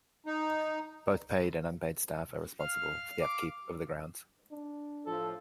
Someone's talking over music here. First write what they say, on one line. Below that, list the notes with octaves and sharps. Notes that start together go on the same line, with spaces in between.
Both paid and unpaid staff are responsible for the upkeep of the grounds.
D#4
F5 F6
D6
D4
A2 F3 A4